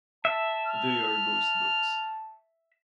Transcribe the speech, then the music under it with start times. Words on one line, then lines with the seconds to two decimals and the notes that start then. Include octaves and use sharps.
They are ghost books.
0.25 E5 A5
0.67 F6